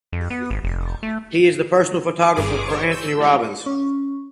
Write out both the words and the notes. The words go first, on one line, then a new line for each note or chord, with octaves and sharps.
He is the personal photographer for Anthony Robbins.
F2
B3
G#1
F1
A3
G1 G2 C3 G#4 D6
C5 C#5 C#6
E6 G6
E3 G3 G#3 C#4
C#4